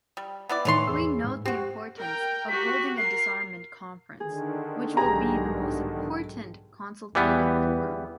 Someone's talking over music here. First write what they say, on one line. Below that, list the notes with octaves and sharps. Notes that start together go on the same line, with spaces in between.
We note the importance of holding a disarmament conference, which will be the most important consultative forum.
G3
B3 E4 D5
A2 D#3 E3 C#5 C6
E2 G#4 E6
G#2
C4 F#4 G4
A#4 G5
F#4 G4 B6
A#4 C7
D3 D#3 G#4
B1 G#2 G4 G#4 A#5
E2 E3 G3 B3